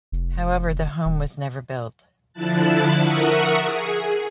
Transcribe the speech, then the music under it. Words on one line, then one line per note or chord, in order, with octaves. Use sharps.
However, the home was never built.
F1
D#1
D3 F3 E4 A5 F#6 A6
A#4 E5 F#5 C#6 D#6
G#4